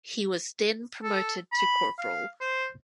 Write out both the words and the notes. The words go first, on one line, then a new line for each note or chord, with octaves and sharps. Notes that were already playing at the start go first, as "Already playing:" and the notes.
He was then promoted to corporal.
A4
B5
F5
C5